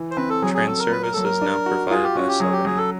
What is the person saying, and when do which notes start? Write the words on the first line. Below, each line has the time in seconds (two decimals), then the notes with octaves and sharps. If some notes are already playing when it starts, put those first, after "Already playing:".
Train service is now provided by Southern.
Already playing: E3
0.11 C5
0.16 C4 B4
0.30 A4
0.42 F#3 G#4
0.54 G#4
0.67 F#3 A4
0.79 A#4
0.91 A#3 B4
1.03 A#4
1.13 F#3 A4
1.24 A#4
1.41 D4
1.66 F#4
1.91 F4 G#4
2.03 G4
2.15 C#4 F#4
2.28 G4
2.40 F#3 G#4
2.52 G4
2.65 F#3 G#4
2.77 A4